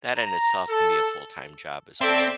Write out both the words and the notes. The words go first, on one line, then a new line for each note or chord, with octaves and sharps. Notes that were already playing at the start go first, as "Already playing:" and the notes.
that in itself can be a full-time job as well.
A#5
A4
C4 A4 D5 E5